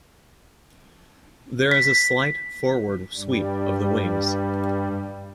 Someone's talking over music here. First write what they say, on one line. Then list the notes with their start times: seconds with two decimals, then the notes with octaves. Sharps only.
There is a slight forward sweep of the wings.
1.71 B6
3.16 G2 G3